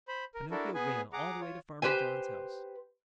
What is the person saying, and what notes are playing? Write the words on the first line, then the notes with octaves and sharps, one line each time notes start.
Pinocchio ran all the way to Farmer John's house.
C5 B5
A#4
D4 E4 F#4 A4 A#4
B3 G#4 B4 G#5
G#4 F#5 A#5 D6
F4 C#5
G4 B4 C5 G#5